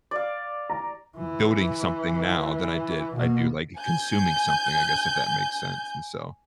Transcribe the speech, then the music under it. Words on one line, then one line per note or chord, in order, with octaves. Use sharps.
building something now than I did I do, like, consuming something, I guess, if that makes sense. And, so,
D5 F5
A#5
E3
B2 A#3
G#5 G6